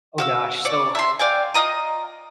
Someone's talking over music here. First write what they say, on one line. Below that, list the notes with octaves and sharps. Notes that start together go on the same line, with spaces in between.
Oh gosh, so,
F#4 F5 E6
C#5 D5
E5 C6
D5 F5 G5 G#5
F4 D#5 A#5 D#6